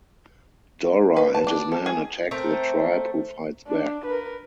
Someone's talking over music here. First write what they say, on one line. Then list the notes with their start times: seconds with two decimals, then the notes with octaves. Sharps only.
Dora and his men attack the tribe who fights back.
1.17 B4
1.35 A5
1.47 D4
1.72 A4
1.86 G#4
2.31 A3 C4 A#4
3.68 D4
4.06 A#4 B4